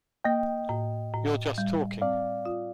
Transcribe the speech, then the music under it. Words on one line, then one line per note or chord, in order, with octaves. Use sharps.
You’re just talking.
A#3 D#5 G5
A2
A2
G3
C4 D5 F5
F4